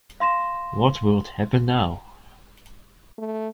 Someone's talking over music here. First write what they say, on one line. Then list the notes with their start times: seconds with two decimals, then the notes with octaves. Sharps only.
What would happen now?
0.20 F5 C6 A#6 E7
3.18 A3